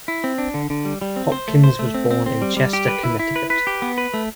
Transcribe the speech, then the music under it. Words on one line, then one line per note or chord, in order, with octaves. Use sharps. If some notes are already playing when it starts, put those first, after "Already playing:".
Hopkins was born in Chester, Connecticut.
E4
C4
D4
D3
D3
G3
G3
C4
C5
A3
C5
A3
C4
C4
C4
G3
G3
G4
B4
E4
E4
B4
B4
G4
B3
B4
A3